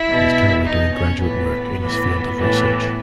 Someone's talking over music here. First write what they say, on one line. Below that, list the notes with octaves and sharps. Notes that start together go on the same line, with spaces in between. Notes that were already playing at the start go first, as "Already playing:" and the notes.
He is currently doing graduate work in his field of research.
Already playing: E4 E5
B2
B2 D#4 D#5
C#4 C#5
A2 E3 B3 B4
A2 E3
A2 E3